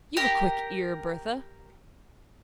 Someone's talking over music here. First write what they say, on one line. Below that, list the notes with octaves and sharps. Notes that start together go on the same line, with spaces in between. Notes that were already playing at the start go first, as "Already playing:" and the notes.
You've a quick ear, Bertha.
G4 A#4